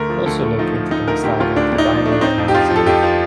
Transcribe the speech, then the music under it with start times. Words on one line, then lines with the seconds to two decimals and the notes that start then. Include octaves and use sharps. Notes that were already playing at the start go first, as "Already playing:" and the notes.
Also located in Snyder is the Diamond M Museum.
Already playing: D2 D3 A3 A#4
0.09 F3
0.26 D2 A4
0.43 A3
0.59 F3 D#4
0.75 F3
0.91 D2 D#4
1.08 D2 A#4
1.24 D2 G4
1.40 D2 F4
1.56 D2 D4
1.72 D2
1.78 D#4
1.89 F3
2.06 A3
2.12 D4
2.21 C4 D#4
2.38 F2
2.48 G4
2.54 F3 F4
2.70 F3
2.76 A4
2.86 F2 G4
3.03 F3